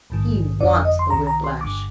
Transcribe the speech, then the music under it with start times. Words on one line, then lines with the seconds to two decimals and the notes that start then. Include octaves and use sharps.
He wants the whiplash.'
0.10 A#1 G#2 D#3
0.60 G1 F2 D3 D5
0.85 D#5
0.99 C6
1.10 C2 C3 D#3 A#5
1.27 A#5
1.44 C6
1.61 G1 G2 D3 D6